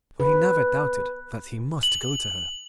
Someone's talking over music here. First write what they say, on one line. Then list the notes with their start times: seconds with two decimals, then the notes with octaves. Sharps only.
For he never doubted that he must go to her.
0.20 B4
1.83 F#7